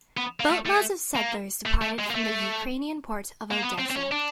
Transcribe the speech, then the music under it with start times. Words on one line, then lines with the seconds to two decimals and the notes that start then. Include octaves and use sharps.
Boatloads of settlers departed from the Ukrainian port of Odessa.
0.17 B3
0.40 A#3
0.51 A3
0.66 A3
1.15 A#3
1.66 A3
1.82 A3
1.99 G#3
2.10 A#3
2.15 A3
3.52 A#3
3.63 B3
3.79 C4
3.90 C4
3.96 C#4
4.12 D4